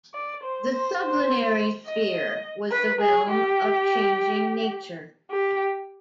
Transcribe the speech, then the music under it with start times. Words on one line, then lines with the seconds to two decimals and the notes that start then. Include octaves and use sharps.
The sublunary sphere was the realm of changing nature.
0.14 D5
0.43 C5
0.72 C5
1.00 C5
1.87 D#5
2.72 B4
3.01 G#4
3.30 G4
5.31 G4